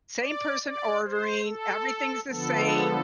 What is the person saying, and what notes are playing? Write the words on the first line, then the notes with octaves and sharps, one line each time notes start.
same person ordering, everything's the same,
D5
D5
C5
A4
D3 F3 B3 A4